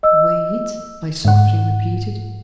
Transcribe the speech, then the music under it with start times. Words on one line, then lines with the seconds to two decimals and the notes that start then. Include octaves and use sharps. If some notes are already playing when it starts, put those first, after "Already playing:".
"Wait?" I softly repeated.
0.03 D#5 E6
1.25 G#2 F#5